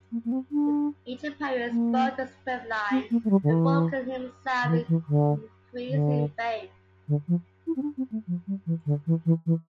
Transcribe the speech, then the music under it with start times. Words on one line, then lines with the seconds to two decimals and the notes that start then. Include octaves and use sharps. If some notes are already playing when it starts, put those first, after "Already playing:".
With each appearance both the discipline and Foucan himself increased in fame.
0.12 A#3
0.25 A#3
0.32 C4
0.52 D4
1.70 A#3
2.91 C4
3.11 A#3
3.24 A3
3.30 G3
3.43 D3
3.50 E3
4.63 D3
4.69 E3
4.88 E3
5.08 D3
5.88 D3
7.08 D3
7.28 F3
7.67 E4
7.76 C4
7.82 D4
7.97 C4
8.12 A3
8.27 F3
8.47 G3
8.66 E3
8.86 D3
9.07 E3
9.26 E3
9.46 E3